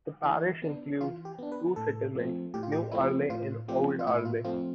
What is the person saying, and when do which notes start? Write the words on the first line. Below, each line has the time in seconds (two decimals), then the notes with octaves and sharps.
The parish includes two settlements, New Arley and Old Arley.
0.23 E3 E4
0.62 B3 D4
1.00 E3 F4
1.25 G4
1.39 B3 D4
1.52 B4
1.76 A2 A4
2.15 F3 A3 C4
2.54 A2 G4
2.63 F4
2.72 G4
2.91 F3 A3 C4 E4
3.30 A2 F4
3.68 F3 A3 C4 G4
3.99 F4
4.07 A2 E4
4.25 F4
4.44 F3 A3 C4 F4